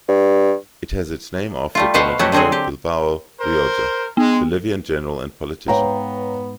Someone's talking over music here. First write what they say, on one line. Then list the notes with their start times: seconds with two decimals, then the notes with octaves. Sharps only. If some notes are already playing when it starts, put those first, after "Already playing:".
It has its name after Bernardino Bilbao Rioja, Bolivian general and politician.
0.08 G2
1.75 G3 A3 F4
1.94 B2 F#4 B4 C5 F5 F#5
2.19 F#3 A3 F#4 G4
2.32 D3 F#3 C4 F#4 G#4
2.52 G4
3.40 A#4 C5
4.17 G#3 B3
5.68 G#2 B3 B4 C#5 F5 G5 A#5